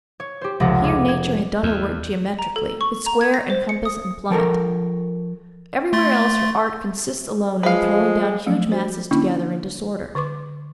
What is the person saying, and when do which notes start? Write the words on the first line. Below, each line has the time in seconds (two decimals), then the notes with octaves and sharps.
Here nature had done her work geometrically, with square and compass and plummet. Everywhere else her art consists alone in throwing down huge masses together in disorder.
0.20 C#5
0.41 G4 C5
0.60 F1 C#2 A4 F#5 A#5
0.84 G#4 D6
1.08 G#6
1.63 E2
2.39 A#5
2.56 A4
2.81 C#6
3.06 A#5
3.21 G#6
3.34 A#6
3.50 C5
3.69 C#7
3.85 D#6
4.30 F3 A4 A#4 A#5
5.93 A3 C6 A6
7.63 F3 G#3 B4 F5
8.46 F3 F#3 A3
8.71 F#4 C5
9.11 D3 A#3 C#4 D4 E4
10.15 D3 B4 C6 D6